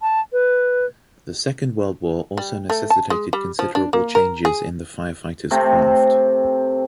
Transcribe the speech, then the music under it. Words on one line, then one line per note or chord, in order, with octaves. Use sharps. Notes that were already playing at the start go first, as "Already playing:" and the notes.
The second World War also necessitated considerable changes in the firefighters’ craft.
A5
B4
G3
A3
A5
G#3
G3
F3
D4
A#3
A#4
G#4
C3 A3 C4